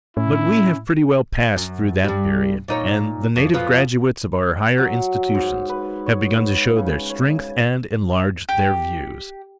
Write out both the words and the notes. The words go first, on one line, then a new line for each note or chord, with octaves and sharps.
But we have pretty well passed through that period, and the native graduates of our higher institutions have begun to show their strength and enlarge their views.
A2 C#4 E4
F#2
G2 G3
A#2 D#4 C#5
F2
F2 B3 F4
F#3
G#2
B4
C#5
C#3
C#5
G4